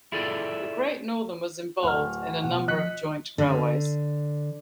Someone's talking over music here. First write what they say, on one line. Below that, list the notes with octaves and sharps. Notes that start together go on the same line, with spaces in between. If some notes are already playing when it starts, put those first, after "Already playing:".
The Great Northern was involved in a number of joint railways.
E4 F4 G#4 A4 D5
D1 F#5 F6
B2 F#5
F3 D#5 F#6 B6 C#7
D3